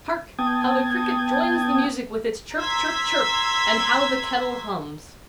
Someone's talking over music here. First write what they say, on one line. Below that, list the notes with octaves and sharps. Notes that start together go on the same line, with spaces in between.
Hark! how the Cricket joins the music with its Chirp, Chirp, Chirp; and how the kettle hums!
B3 G5 A5 D#6 G#6
A#5 C6 E6 G#6 B6